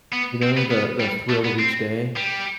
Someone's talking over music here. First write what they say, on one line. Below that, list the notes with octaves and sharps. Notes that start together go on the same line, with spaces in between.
you know, the the thrill of each day
B3
C4
B3
B3
G3
A3
B3
C4
G3